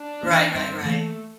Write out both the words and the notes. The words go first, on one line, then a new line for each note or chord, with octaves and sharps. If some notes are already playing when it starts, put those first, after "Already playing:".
Right, right, right.
Already playing: D4
E3 A#3
G2 C4
E3 A3 A#3